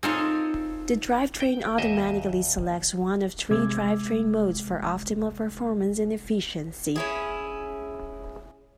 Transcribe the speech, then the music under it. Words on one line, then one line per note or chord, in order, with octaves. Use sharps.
The drivetrain automatically selects one of three drivetrain modes for optimal performance and efficiency.
C4 D#4 F4 G#4 A4 C#5
G5
D#2 D#5 E5
C3 G#3 E5 D6 E6 G#6
C#4 E4 G#4